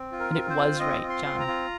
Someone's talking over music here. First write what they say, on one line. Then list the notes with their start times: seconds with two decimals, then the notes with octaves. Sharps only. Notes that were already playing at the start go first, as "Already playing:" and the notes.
And it WAS right, John!
Already playing: C4
0.12 F4
0.20 A#4
0.35 C4
0.50 C5
0.58 F4
0.80 C4 D#5
1.03 F4
1.09 C6
1.25 C4
1.40 A#5
1.48 F4